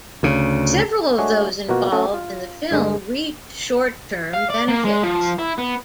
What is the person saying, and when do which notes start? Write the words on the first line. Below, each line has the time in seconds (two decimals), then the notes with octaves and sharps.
Several of those involved in the film reaped short-term benefits.
0.23 D2 C#3
1.18 G#3 A3 D4 F#4 G#4 C#5
1.69 B2 A#3 F4 F#4
1.92 A3 C#4 F#4 A4
2.14 F4
2.71 G2 D3 G#3
4.33 F5
4.50 D5
4.68 A#3
4.85 G#3
5.03 F3
5.39 E4
5.59 B3